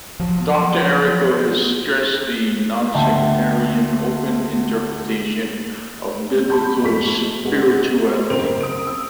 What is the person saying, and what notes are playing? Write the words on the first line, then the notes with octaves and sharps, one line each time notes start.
Doctor Errico has stressed the nonsectarian, open interpretation of Biblical spirituality.
F3 F#3
D2 E5 G5 A5
A5 B5 C6 G6
F2 G#3 A3 C#6 B6
G#3 B3 F#4
F#1 C4 A#4 C5 D7 F7
D#6 D7
E6